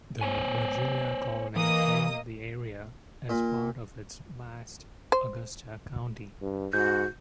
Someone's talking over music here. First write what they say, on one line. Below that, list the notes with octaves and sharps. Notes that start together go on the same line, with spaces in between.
The Virginia Colony claimed the area as part of its vast Augusta County.
C5 C#5 G#5
E3 A#3 D#5 D#6
A#2
C5
G2
G#2 F#4 G6